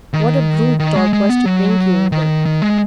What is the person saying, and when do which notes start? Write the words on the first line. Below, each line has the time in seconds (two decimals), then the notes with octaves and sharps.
What a brute Torp was to bring you over.'
0.13 D#3
0.80 D#3
0.96 G#3
1.13 G#3
1.29 B3
1.45 F#3
2.12 D#3
2.46 D#3
2.62 G#3